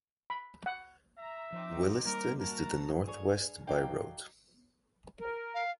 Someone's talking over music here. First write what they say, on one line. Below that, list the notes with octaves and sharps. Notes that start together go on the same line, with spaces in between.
Williston is to the northwest by road.
B5
F#5
E5 A#5
F3 C4 D#4 D6
G3 A#3 A#4
F#4 A#4 A5 A#5
G2 G#4 C#5
F#3 D4 D#4 F5 G5
A#4
F5